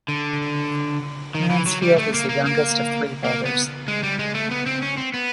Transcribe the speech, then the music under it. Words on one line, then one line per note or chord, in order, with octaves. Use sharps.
Mansfield is the youngest of three brothers.
D3
D#3
E3
F#3
G3
A3
A#3
A#3
A#3
A#3
B3
G#3
G3
G#3
A3
B3
C4
C#4
C4
B3